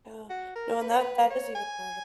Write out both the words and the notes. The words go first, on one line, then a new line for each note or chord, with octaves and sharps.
Yeah. No, and that that is even harder.
F#4
A#4
B4
C#5
B4
C#5
G#5